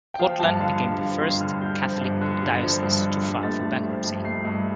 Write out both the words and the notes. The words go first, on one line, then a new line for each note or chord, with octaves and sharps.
Portland became the first Catholic diocese to file for bankruptcy.
G5
F3 F5
G2 A5
D3 F5
G2
F3 F5
G2 C6
D3 F6
G2 G6
F3
G2
D3
G2
F3
G2
D3
G2
A3 A6
G2
F3
G2
A3 C7
G2